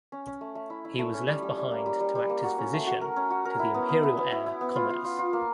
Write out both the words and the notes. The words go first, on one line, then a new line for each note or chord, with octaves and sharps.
He was left behind to act as physician to the imperial heir Commodus.
C#4
C#4
A3
A3
E4
E4
A3
C#4
G3
G3
G3
A#3
G3
G3
G3
A#3
F#4
C#4
A3
F#4
A#4
C#4
F#4
A#4
E4
B3
B3
E4
B3
E4
E4
B3
F4
F4
F4
F4
A#3